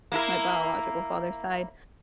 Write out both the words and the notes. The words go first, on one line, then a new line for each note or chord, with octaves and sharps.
my biological father's side.
A#3 E4 A#4